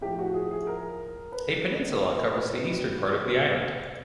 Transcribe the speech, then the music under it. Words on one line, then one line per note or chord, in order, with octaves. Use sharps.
A peninsula covers the eastern part of the island.
A2 F3 G4
F#4
G#4
G#4
A#4
B4
C5
B4
C3 D#3 F#3